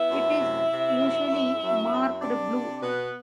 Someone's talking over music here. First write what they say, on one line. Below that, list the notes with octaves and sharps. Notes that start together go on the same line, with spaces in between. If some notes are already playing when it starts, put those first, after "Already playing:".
It is usually marked blue.
Already playing: B3 E4 E5
F#2
C3
C3
F#2
F#2
F#2
F#2
C3 D4 D5
C3
B2 B3 B4